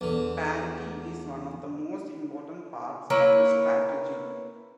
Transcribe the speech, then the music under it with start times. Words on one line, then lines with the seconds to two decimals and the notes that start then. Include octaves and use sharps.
Parity is one of the most important parts of the strategy.
0.01 E2 D3
3.10 A#3 E4 B4 C#5